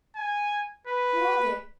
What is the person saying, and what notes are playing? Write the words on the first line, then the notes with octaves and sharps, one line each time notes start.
"Who are they?"
G#5
B4